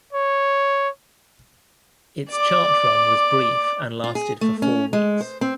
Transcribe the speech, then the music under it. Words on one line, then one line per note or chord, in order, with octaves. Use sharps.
Its chart run was brief and lasted for four weeks.
C#5
D5 D6
F4
G#4
A3
C#4
G#3
C5
C4